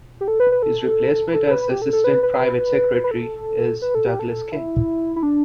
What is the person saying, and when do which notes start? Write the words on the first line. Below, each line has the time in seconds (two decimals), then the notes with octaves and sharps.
His replacement as Assistant Private Secretary is Douglas King.
0.21 G4
0.28 A4
0.40 B4
0.52 B4
0.62 A4
1.29 B4
1.34 A4
1.47 A4
1.51 B4
1.70 G4
1.82 A4
1.93 A4
2.04 B4
2.23 B4
2.40 B4
3.04 B4
3.11 A4
3.82 B4
3.95 A4
4.06 G4
4.19 A4
4.52 E4
5.16 E4
5.23 D4